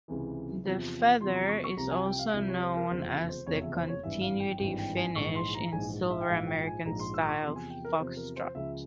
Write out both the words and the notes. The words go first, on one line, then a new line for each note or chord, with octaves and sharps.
The feather is also known as the continuity finish in silver American Style Foxtrot.
C#2 C3 E3
E2 C3 F3
E2 C3 F3 C6
A#5
C#6
C#6
C2 C3 F3 A#5
G#5
G5
F5
C2 C3 F3 E5
C#5
C5
A#4
F1 E2 C#3 F3 C5
C5
F1 E2 C#3 F3 C#5
E5
C5
C#5
G#1 G2 E3 E5
F5
G5
G#1 G2 E3 G5
G5
G#5
A#1 G#2 E3 C#6
C6
A#5
A#1 G#2 E3 G#5
E5
G5
A#1 G#2 F3 F5
G5
G#5
A#1 G#2 F3 A#5
C6
E6
C#6
E2 C3 F3 C6
G#5
G5
A#4
E2 C3 F3 C5
A#4
C5
C#2 C#3 F3 E5